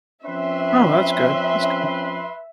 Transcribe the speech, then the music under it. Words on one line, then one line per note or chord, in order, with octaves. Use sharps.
Oh, that's good, that's good.
F3 C4 C#4 B4 E5 C6